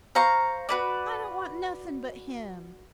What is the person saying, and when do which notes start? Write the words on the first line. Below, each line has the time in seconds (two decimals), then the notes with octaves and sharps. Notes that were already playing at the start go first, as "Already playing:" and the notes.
"I don't want nothing but him."
0.15 C5 F5 A#5 C#6
0.69 F#4 B4 D5